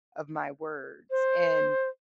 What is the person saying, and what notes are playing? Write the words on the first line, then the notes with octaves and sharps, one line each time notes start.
of my words and
C5